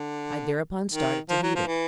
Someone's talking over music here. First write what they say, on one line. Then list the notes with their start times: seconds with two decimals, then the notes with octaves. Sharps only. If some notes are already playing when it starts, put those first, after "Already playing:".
I thereupon started to heat it.
Already playing: D3
0.92 D#3
1.30 F3
1.43 F#3
1.56 F3
1.67 E3